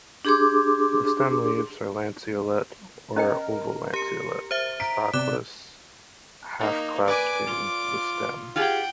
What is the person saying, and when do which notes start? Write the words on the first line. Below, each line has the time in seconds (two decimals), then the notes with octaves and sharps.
The stem leaves are lanceolate or oval-lanceolate, stalkless, half-clasping the stem.
0.25 D4 G4 G#4 C6 D6
3.16 C#4 A#4 D#5 G5
3.94 G4 C#7
4.51 C5 E5
4.80 A#5 B6 D7
5.13 C3 D5 D6 F#6 E7
6.59 A#3 D#4
7.08 B4 D5 G#5 D6
7.47 F4
8.56 F4 G4 G#4 F#5 G5